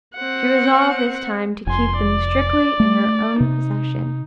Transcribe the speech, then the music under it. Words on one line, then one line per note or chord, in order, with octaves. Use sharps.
She resolved this time to keep them strictly in her own possession.
C4 F#5
F1 G#5 C6
D5
A3
C3 D#4